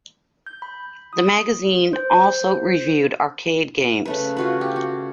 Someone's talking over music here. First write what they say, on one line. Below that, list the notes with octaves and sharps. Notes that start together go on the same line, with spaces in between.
The magazine also reviewed arcade games.
G6
B5
D#6
C5
C#3 A3 B4
F4 F#4 B4
G4
F#4